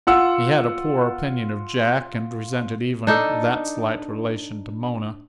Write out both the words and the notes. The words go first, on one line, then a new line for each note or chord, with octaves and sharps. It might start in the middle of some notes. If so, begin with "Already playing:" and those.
He had a poor opinion of Jack and resented even that slight relation to Mona.
F4 F#5 E6
D4 D#4 A4